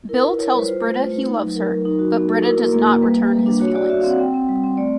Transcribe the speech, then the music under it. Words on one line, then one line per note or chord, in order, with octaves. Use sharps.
Bill tells Brita he loves her, but Brita does not return his feelings.
E4 A#4
E4 B4
E4 C#5
G3 C5
B4
F4 C5
A3
A3 B4
A3
D#4
F#3
F#3 A#4
F#3
D#4
F#4
B3
F#4 A4
E4 A#4
A#3
A#3
A#3
G3 B4
G3
G3
D4
F#4 C#5
F#4 D5
F#4 E5
F5
C4
F#5
C4 G5
C4
G3
C4
A3 D5